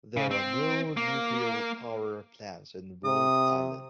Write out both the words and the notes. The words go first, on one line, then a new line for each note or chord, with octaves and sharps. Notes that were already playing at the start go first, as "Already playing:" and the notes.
There are no nuclear power plants in Rhode Island.
C#3
C4
A#3
C3 D#6